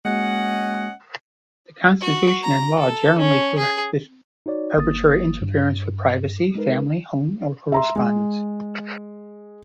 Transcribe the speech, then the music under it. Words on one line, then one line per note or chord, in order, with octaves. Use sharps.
The constitution and law generally prohibit arbitrary interference with privacy, family, home, or correspondence.
G#3 A#3 C#4 F#4 D#5 F#5
F#4
A#5
A4
C#4
G#4
D#4 F#4 C#5 D5
G1 A#3 D#6 A6
G2
G#3 D#4 A#4 B4
E5 A#5 C6
G#3